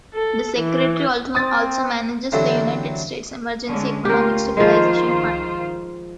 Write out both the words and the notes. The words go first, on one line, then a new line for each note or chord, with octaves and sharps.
The Secretary also manages the United States Emergency Economic Stabilization fund.
A4
E3
C4 D#6 A6
D3 E3 F#3 A3 C4 G4
D3 G#3 C#4
D2 C#4 F4 G4 A#4
D#3 F3 G#3 F4 C5